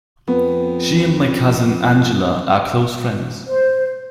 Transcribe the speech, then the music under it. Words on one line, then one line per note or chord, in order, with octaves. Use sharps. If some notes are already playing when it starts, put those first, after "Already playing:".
She and my Cousin Angela are close friends.
F2 B3
C5